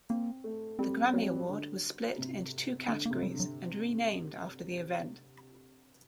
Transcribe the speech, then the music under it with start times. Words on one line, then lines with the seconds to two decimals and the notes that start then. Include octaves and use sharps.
The Grammy award was split into two categories and renamed after the event.
0.10 A#3 C4
0.44 A3
0.79 G3 C4
1.13 F#3
1.49 D3
2.18 C3
2.88 D3 A#3
3.06 A#3
3.11 C3
3.22 G3
3.34 D3
3.40 F#3